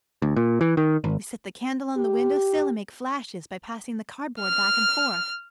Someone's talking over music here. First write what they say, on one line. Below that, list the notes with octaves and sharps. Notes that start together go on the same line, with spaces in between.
We set the candle on the window sill and make flashes by passing the cardboard back and forth.
D2
A#2
E3
D#3
G#1
G4
F6